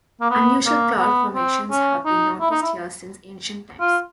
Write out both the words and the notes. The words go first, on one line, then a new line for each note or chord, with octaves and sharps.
Unusual cloud formations have been noticed here since ancient times.
A#3
B3
A#3
B3
C4
C#4
D#4
E4
D#4
E4
F4